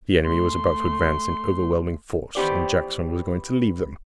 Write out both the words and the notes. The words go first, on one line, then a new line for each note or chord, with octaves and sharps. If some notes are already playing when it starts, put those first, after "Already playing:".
The enemy was about to advance in overwhelming force, and Jackson was going to leave them.
A3 C6
D#3 E3 B3 G4 C5 D5